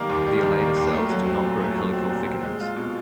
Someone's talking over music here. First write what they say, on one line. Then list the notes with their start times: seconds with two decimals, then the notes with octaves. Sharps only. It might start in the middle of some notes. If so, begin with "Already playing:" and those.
The elater cells do not grow helical thickenings.
Already playing: D#3 G3 A#3
0.09 D#2
0.26 G3
0.43 D#3
0.61 A#3
0.76 D#2
0.93 A3
1.09 F#3
1.26 C4
1.44 A#2
1.60 A3
1.76 F#3
1.93 C4
2.10 A#2
2.27 C4
2.43 G#3
2.60 F4
2.76 B2